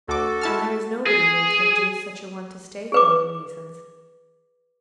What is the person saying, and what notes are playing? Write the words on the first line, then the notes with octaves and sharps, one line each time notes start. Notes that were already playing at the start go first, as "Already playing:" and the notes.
And there is nobody here to induce such a one to stay for other reasons.
D2 F#4 A4 D6
E4 A5 F6
G#4
G#4 B4 D6